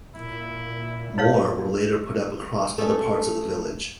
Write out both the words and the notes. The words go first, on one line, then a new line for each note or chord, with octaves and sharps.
More were later put up across other parts of the village.
A#2 E4
D#4 C#5 F5
A3 C#4 A4